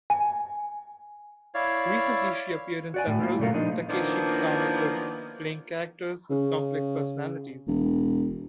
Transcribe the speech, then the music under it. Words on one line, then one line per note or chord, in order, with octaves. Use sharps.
Recently she appeared in several Takeshi Kitano films playing characters with complex personalities.
G#5
E4 C#5 D5 F5
F#4 D5 G#5
A2
A#3 E4 F4
A#2 C#3 F#3 A3 A#3 F4
F3 D4 D#4
D#3 F3 A#3 B3 D4 E4
C#3
E1